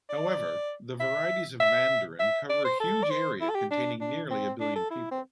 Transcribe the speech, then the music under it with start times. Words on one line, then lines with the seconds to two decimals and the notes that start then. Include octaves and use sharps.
However, the varieties of Mandarin cover a huge area containing nearly a billion people.
0.10 D5
1.00 E5
1.60 E5
2.20 E5
2.50 D5
2.65 C5
2.80 A4
3.03 D5
3.11 C5
3.41 E4
3.50 A4
3.55 G4
3.71 D4
4.01 D4
4.30 C4
4.60 D4
4.75 A4
4.91 E4
5.11 C4